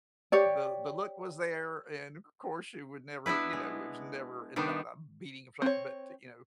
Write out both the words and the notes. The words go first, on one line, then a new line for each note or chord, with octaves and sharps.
the the look was there, and, of course, she would never, you know, it was never uh, not a beating of flat, but t you know,
G4 C#5 D5
B3 D4 E4 B4
G#3
D#3 G3 B3 D4
C4 C#5